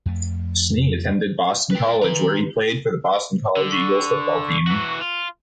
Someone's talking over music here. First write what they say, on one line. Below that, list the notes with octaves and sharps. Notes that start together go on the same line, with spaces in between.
Snee attended Boston College, where he played for the Boston College Eagles football team.
F2 A3
B4 G5
D#3 B4 A#5 C6
D3
C#6
E3 F#4
F4